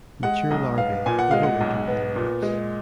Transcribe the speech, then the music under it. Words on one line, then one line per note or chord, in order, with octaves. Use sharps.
Mature larvae overwinter in the roots.
G#3 F#5
B1 D#5
B3 F5
A#2 G#5
F#5
G#3 F5
F#5
B1
B3
A#2
G#3